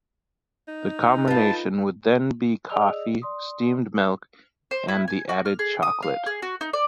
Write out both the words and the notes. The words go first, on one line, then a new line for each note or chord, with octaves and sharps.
The combination would then be coffee, steamed milk, and the added chocolate.
D#4
F4 B4 A5
G#4 D5 D#5 D#6 E6 F7
D5 C6 D#6
C5
E4
G#5
F#4
F6
G#4
D#6
F5
G#4
F#4
D#4
D5